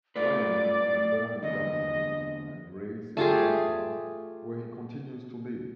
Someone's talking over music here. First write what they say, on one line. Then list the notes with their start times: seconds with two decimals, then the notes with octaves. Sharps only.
Ryan was born in Dublin and raised in Dundrum where he continues to live.
0.16 A3 F4 B4 D5
0.86 A2
1.42 E2 G2 D3 D#5
3.17 A3 F4 G4 G#4